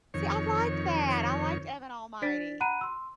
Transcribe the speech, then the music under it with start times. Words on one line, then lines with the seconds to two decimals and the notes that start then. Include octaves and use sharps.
See, I liked that, I liked Evan Almighty.
0.14 F2 D#3 C#5
2.22 D4 C5 D5 A6 B6 D7
2.60 F#5 A#5 B5 F#6 D7 D#7
2.81 C6 E6